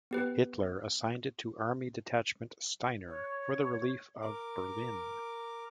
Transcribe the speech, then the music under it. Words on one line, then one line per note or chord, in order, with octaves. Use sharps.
Hitler assigned it to Army Detachment Steiner for the relief of Berlin.
B3 G4 B4
C#5
A#4 D6